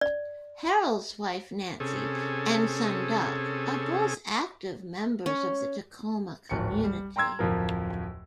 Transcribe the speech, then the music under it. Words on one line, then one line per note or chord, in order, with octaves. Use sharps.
Harold's wife, Nancy, and son, Doug, are both active members of the Tacoma community.
D5
C3 C#4 G#4 A4
C#4
D1 G#1 C#7
G3
G5 A#5 C6 E6 G#6
D1 F2 F3 A#4